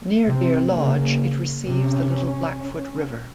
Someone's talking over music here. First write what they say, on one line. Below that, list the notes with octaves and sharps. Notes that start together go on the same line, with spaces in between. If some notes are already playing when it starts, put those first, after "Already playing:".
Near Deer Lodge it receives the Little Blackfoot River.
C3 C4
C#3 A#3
C3 C#4